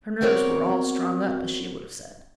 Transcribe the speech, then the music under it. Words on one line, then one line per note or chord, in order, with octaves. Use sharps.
Her nerves were "all strung up," as she would have said.
B3 C4 F#4 A#4 C#5 D5